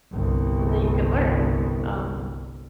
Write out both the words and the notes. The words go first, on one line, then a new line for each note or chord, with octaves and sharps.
and then you could learn, um.
G1 C2